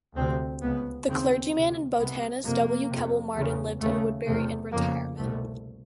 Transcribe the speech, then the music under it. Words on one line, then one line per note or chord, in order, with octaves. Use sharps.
The clergyman and botanist W. Keble Martin lived in Woodbury in retirement.
D2 C3 C4
C#2 C#3 B3
D#2 C#3 C4
D2 C3
C2 C3 B3
F2 C3 A#3
F2 C3
E2 C#3
D#2 C#3 A3
E2 C3 A3
F2 C#3 A#3
C2 B2 A3